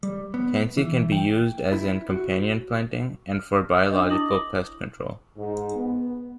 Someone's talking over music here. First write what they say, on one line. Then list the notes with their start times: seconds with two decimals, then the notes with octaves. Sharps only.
Tansy can be used as in companion planting and for biological pest control.
0.03 G3
0.34 B3
0.77 E3
1.12 G5
1.72 E4
2.10 F#4
3.33 F6
3.91 D4 D#5
4.10 E4 D6 D#6 A#6 F#7
5.37 G#2
5.75 B3